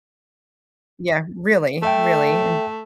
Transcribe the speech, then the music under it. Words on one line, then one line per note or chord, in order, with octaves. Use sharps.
Yeah, really really, and
A3 A4 E5 G5